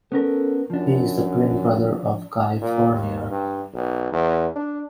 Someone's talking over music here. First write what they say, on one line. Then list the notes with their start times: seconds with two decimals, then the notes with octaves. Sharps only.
He is the twin brother of Guy Fournier.
0.12 B3 C#4 A4 A#4
0.70 F#2 F3 D4
2.61 A#2
2.92 D#2
3.30 G2
3.74 B1
4.12 E2
4.56 D4